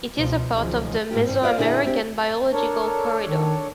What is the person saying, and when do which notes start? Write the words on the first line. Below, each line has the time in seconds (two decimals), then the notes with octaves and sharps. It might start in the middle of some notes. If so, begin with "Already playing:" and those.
It is a part of the Mesoamerican Biological Corridor.
0.15 C#2 B2 F3
0.51 C#2 B2 D#3 F3 F#3 G#3
1.11 A2 D#3 F4 G4
1.24 G2 C3 E3 G3 C4
1.42 F4 C5 D5 D#5 F5
1.57 A#2 D3 A#3 D4 E4 G#4
1.84 C4 D4 G4
2.52 D4 A4 A#4 C#5
3.24 D#3